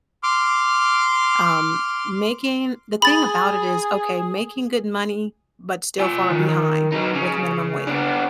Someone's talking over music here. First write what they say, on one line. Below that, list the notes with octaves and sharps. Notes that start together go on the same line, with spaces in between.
Um, making the thing about it is, okay, making good money, but still far behind with minimum wage.
C6 D6 F6
G#4 B5 A6
F4 G#5
D#3
F#3 D#4
C#3
B3 D4